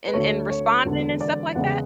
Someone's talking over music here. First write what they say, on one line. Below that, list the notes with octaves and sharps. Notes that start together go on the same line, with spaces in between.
and and responding and stuff like that?
B4
D2 D3 A3 C#5
C#5
E1 E2 D3
D5
E2 C#3 G#3 F#5